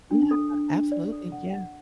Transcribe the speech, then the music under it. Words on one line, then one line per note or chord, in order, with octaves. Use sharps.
Yeah, absolutely, yeah.
D4
A4
D4
D4
D5
A4
F#5
F#5